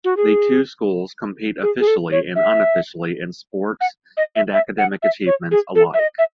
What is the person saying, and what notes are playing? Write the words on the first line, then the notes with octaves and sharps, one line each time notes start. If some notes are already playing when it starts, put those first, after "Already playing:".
The two schools compete officially and unofficially in sports and academic achievements alike.
F#4
G#4
G#4
G#4
A4
C#5
E5
F#5
D#5
E5
E5
F#5
E5
C#5
G#4
A4
E5
D#5
E5